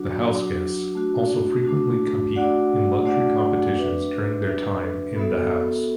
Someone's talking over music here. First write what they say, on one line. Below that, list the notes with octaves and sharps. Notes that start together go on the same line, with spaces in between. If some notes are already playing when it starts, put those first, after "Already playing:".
The HouseGuests also frequently compete in luxury competitions during their time in the house.
Already playing: F#3 D4 F#4
F#3 D4 F#4
A3 D4 F#4
A3 D4 F#4
A3 D4 F#4 D5 F#5
A3 D4 F#4 D5 F#5
D4 B4 E5
D4 B4 E5
B3 F#4 A4 E5